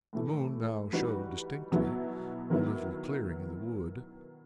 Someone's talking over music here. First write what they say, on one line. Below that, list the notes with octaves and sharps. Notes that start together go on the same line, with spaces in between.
The moon now showed distinctly a little clearing in the wood.
A2 E3 A3
E3 G3 D#4 F#4 B4
B2 F#3 B3 E4
D#3 F#3 B3 E4